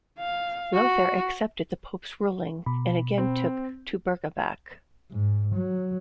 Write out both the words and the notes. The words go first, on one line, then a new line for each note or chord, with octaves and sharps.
Lothair accepted the pope's ruling and again took Teutberga back.
F5
F#4
B2 B5
C4
G#2
F#3